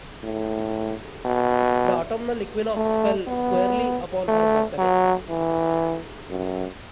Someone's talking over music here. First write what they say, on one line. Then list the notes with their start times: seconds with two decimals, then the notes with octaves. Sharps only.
The autumnal equinox fell squarely upon her birthday.
0.23 A2
1.25 B2
2.76 A3
3.27 B3
4.28 A3
4.78 F#3
5.29 E3
6.30 F#2